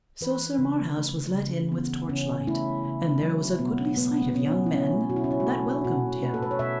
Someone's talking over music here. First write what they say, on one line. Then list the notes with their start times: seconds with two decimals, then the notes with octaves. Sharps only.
So Sir Marhaus was let in with torchlight, and there was a goodly sight of young men that welcomed him.
0.21 E3 B4
0.58 C#3
0.97 A3
1.34 C#3
1.72 E3 B3
2.09 C#3 C#4
2.47 A3 E4
2.85 C#3
3.22 F#3
3.59 B2 B3
3.96 A3 B3
4.29 B3
4.34 B2 C#4
4.66 E4
4.72 F#3 C#4
5.09 B2 F#4
5.16 E4
5.24 C#4
5.31 E4
5.40 F#4
5.47 A3 A4
5.84 B2 F#4
6.22 A3 B4
6.34 A4
6.43 B4
6.51 C#5
6.59 B2 E5